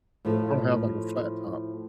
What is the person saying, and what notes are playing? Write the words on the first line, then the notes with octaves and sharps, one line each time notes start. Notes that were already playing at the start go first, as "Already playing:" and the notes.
I don't have, like, a flat top,
A2 F3 A4